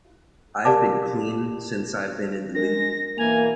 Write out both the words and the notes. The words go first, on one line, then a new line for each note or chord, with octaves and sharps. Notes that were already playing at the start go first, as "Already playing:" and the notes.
I've been clean since I've been in the league.
G4 A#4 D5 F5 A5 D6
G#3 D4 A#4 A#6
B2 E3 A#3 G#5 F7